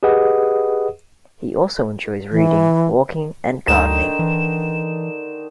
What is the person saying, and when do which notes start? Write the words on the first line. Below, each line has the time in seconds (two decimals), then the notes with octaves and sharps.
He also enjoys reading, walking, and gardening.
0.03 G4 G#4 B4 D#5 F#5 D#6
2.32 E3
3.68 D2 D3 D#3 D#4 E7
4.19 E3